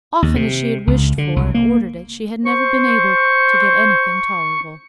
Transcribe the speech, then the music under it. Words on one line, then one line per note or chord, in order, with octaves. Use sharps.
Often as she had wished for and ordered it, she had never been able to get anything tolerable.
D#2
C3
C#2
D3
C2
A#3
C5 C#6